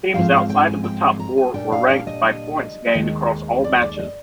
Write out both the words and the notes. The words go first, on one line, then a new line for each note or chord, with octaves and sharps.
Teams outside of the top four were ranked by points gained across all matches.
G#2 F3 G#3 C4 F5
F5
G5
G#5
G5
A#5
G#5
A#2 G3 D4 G5
F5
F5
D#5
D#2 D#3 G#3
D5
D5
D#5